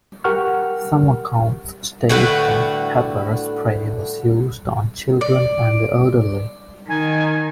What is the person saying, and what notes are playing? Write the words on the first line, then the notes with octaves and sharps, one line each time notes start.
Some accounts state that pepper spray was used on children and the elderly.
G4 A#4 F#5 C#6 F6
A2 D3 F#4 B4
D5
D#3 D#4 G#5